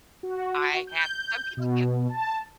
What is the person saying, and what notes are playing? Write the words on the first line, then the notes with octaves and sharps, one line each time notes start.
I have some people can,
F#4
G6
B2
A5